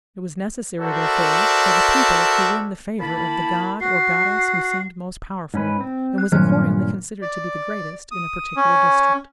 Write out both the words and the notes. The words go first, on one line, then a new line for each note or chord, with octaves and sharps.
It was necessary, therefore, for the people to win the favour of the god or goddess who seemed most powerful, and was accordingly considered to be the greatest in a particular district.
F#4 A4 A#4 C5 D5 E5
A#3 E4 A5 B5
F#4 C7
G#2 C#4 B4
C4
F#6
G2 A#2 D#3 F#3 C#4 F6
D5
D#6
C#4